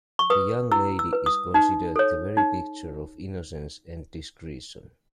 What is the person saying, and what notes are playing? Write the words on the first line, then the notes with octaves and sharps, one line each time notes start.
The young lady is considered the very picture of innocence and discretion.
C#6
B4 D#6
E4 E6
E6
B4
D#6
D#4
A4 C#5
D#4